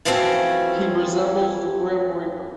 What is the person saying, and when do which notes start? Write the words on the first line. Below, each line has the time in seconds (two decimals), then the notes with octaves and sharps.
He resembles the Grim Reaper.
0.05 F#2 E3 F3 A3 C4 C#4